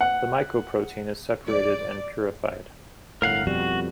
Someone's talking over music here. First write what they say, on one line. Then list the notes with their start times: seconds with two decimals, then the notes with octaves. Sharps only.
The mycoprotein is separated and purified.
0.01 F#5
1.49 D5
3.22 G1 A2 A#4 F5 F#5
3.47 F2 B2 G3 F#4